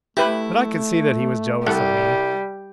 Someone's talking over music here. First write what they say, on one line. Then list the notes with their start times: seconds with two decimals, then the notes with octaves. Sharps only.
But I could see that he was jealous of me.
0.17 A3 E4 G4 B4 B5
1.67 C2 G3 A4 F#5